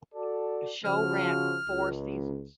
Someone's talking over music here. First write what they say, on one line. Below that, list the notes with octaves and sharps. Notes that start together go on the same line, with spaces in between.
The show ran for four seasons.
F#4 A4 D5
C#3 F3 F#4 F6
C#2